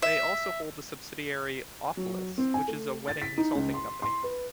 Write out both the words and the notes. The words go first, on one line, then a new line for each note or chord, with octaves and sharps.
They also hold a subsidiary "Ofelis", which is a wedding consulting company.
E5
F#3
C4
G#5
A3
A6
B6
D#4
C#2
C6
C6
B4